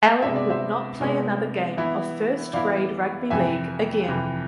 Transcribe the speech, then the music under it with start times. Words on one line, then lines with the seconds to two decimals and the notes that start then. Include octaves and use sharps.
Allan would not play another game of first grade rugby league again.
0.22 C3 G#3 B3 D4 E5
0.36 D5
0.50 C5 E5
1.00 C3 G#3 B3 D4
1.77 E3 B3 E4
2.53 E3 B3 E4 D5 F5
3.30 F2 C3 E3 E5 G#5
4.08 F2 C3 E3